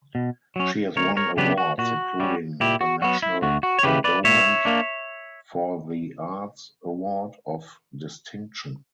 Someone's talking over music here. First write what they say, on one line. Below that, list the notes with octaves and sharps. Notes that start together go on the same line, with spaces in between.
She has won awards including the National Endowment for the Arts Award of Distinction.
B2
F#3 C#4
D2 A#4 C#5
A#4 C#5
C#3 F#3 B3 D4 G4 B4
F#4
A#2 F#4
G3 C#4
A#2 E4 G4
F#4
F#3 B3 F#4
E4
D2 F#4
F#4
C#5
C#3 E3 G4 B4
B4 D5
A#2 C#5 E5
A#3 D4